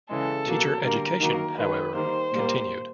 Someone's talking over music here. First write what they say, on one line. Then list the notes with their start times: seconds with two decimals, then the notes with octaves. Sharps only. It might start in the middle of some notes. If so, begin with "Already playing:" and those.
Teacher education, however, continued.
0.09 C#3 E3 G#3 A4
0.45 B2 F#3 A#3
0.83 D3 G3 A#3 A#4
1.20 D#3 F#3 A#3
1.57 D#3 G#3 B4
1.93 D#3 G3 A#3 C5
2.31 A#2 G3 A#3